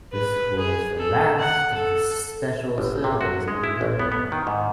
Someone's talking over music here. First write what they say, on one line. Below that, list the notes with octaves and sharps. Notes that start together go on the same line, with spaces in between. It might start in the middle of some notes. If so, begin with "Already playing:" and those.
This was the last of the special surveys in the area.
B4
G#4
A4
F#5
A4
G1
C3
F#4
G#3
E4
A1
B3
B3
D#3
G#2